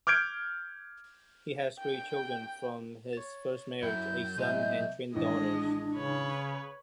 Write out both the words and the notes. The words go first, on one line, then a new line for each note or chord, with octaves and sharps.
He has three children from his first marriage-a son and twin daughters.
D6 F6 G6 G#6 D7
G5
C#5 A6
F#2 E4 G5 G6
B1 A2 G#3 D#5 E5
A1 D#3 E3 G#3 D4 D#5
C#3 B4 C#5